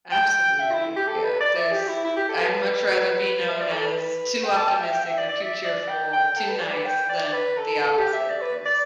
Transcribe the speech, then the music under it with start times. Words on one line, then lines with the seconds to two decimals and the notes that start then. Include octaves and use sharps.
Absolutely, yeah, there's I'd much rather be known as too optimistic or too cheerful or too nice than the opposite. There's
0.12 G5
0.60 E5
0.72 E4
0.96 G4
1.08 A4
1.24 B4
1.41 D5
1.56 E5
1.72 G4
1.88 E4
2.05 E4
2.16 G4
2.29 A4
2.40 B4
3.49 E5
3.60 D5
3.72 A4
3.84 B4
4.45 G5
4.56 A5
4.68 G5
4.81 E5
4.92 G5
5.04 E5
5.17 D5
5.29 D5
5.42 E5
5.64 D5
5.88 G5
6.13 G5
6.37 A4
6.49 B4
6.61 D5
6.73 B4
6.86 G5
7.09 D5
7.33 B4
7.58 A4
7.81 A4
7.98 G4
8.13 E5
8.29 D5
8.41 B4
8.65 D5